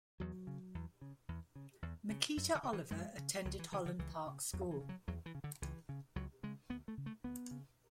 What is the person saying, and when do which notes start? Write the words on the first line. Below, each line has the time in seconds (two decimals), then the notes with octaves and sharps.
Miquita Oliver attended Holland Park School.
0.20 E2 F#3
0.47 C#3
0.75 E2
1.01 C#3
1.28 E2
1.55 C#3
1.82 E2
2.10 C#3
2.37 F#2
2.55 D3
2.63 C#3
2.73 E3
2.91 F#2 G#3
3.18 C#3
3.45 C#2 F#3
3.59 E3
3.72 C#3 E3
3.86 D3
3.99 C#2 E3
4.26 C#3
4.53 E2 F#3
4.71 E3
4.81 C#3
4.89 F#3
5.08 E2 F#3
5.26 E3
5.35 C#3
5.44 D3
5.62 C#2 E3
5.89 C#3
6.16 C#2 F#3
6.43 C#3 G#3
6.70 D2 B3
6.88 A3
6.97 C#3
7.06 A3
7.24 D2 B3
7.51 C#3